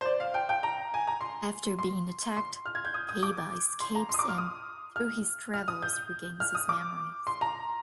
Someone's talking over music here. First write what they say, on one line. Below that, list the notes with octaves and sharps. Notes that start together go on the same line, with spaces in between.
After being attacked, Kaiba escapes and, through his travels, regains his memories.
C5
D5
F5
G5
G5
A#5
G#5
A#5
C6
C6
C6
F6
G#6
G6
D#6
D#6
D6
C6
A#5
C6
D#6
D6
F6
D#6
F6
F6
D#6
G6
F6
D#6
D6
C6
A#5